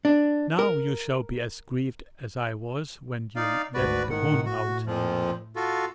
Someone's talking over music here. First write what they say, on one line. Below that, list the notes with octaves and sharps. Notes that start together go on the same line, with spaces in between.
'Now you shall be as grieved as I was when you let the moon out.'
D4
A#4
D#4 D5 F5
G#1 D2 F#4 B4 D5
A2 D#3 F#5
F#4
F2 A#2 F3
F4 F#4 A4